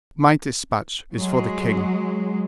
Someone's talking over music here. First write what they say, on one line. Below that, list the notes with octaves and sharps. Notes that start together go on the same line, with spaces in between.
"My dispatch is for the king."
F#3 G#3